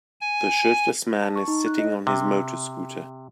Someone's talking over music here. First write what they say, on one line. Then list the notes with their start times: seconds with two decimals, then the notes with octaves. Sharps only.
The shirtless man is sitting on his motor scooter.
0.21 G#5
1.22 A5
1.36 C#6
1.48 D#4
1.66 F#6
1.79 D#5
2.07 C3